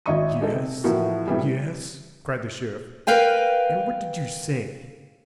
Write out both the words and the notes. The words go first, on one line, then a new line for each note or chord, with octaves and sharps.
"Yes, yes," cried the Sheriff, "and what did you say."
G#1 E4 D#5 E5 C#6 D#7
G#3 D#4 A4
C3
A2 E3 F3 A#3 E4 F#4
A2 C3 E3 G3 G#4
A#4 B4 F5 G5 G#5